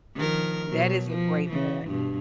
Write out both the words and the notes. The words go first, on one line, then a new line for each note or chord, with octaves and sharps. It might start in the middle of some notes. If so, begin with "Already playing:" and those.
That is a great point.
D#3 F3 A#4
B2 F#3
F3
C#3 E3
G2 B2